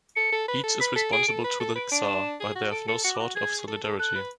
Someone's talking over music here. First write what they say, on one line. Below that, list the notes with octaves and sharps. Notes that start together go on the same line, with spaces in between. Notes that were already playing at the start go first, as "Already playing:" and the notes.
Each is responsible to the Czar, but they have no sort of solidarity.
A4 C#7
A4
B4
A4
B4 B6
A4 B6
G#4 D7
A4
B4
A4
B4 D7
D4 D7
E7
G#4
F#4
A4 D7
A4 C#7
F#4 C#7
D6
F#4
G#4 G#6
A4
A4
A4 F#6
B4